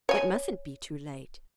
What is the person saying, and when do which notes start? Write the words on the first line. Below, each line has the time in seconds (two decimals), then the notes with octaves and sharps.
It mustn't be too late!
0.09 C#5 G#5